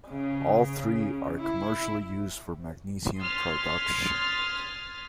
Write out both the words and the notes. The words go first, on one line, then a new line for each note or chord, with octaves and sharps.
All three are commercially used for magnesium production.
C#3
E4
C6 D#6 F6 G#6 A6 B6